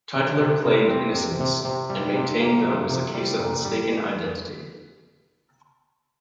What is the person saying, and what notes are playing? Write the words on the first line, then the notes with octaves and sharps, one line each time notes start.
Tytler claimed innocence, and maintained that it was a case of mistaken identity.
C3
C3
C3
C4
C3
C3
C3
G3
C3
A#3
C3
C3
G3
A#2
G3